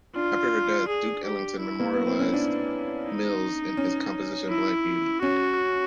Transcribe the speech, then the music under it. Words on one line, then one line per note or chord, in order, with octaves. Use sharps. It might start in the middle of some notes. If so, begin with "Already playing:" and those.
After her death, Duke Ellington memorialized Mills in his composition "Black Beauty".
D4 F4
G#4
G4
E4
A#3
B3
C4
C#4
D4
D#4
C#4
E4
C#4 F#4